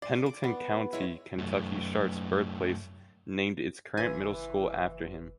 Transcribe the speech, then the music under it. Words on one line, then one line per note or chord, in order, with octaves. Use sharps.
Pendleton County, Kentucky-Sharp's birthplace-named its current middle school after him.
D5 C6
D6
B3
G#3 E4 C#5
F#2 A3
F#1 E3 B4 G#5 C6